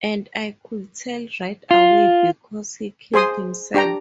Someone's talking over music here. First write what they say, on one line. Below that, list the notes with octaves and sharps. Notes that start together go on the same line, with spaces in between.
And I could tell right away because he killed himself.
F4
G#4 C5 C6 D#6
D4 G4 G5 A#5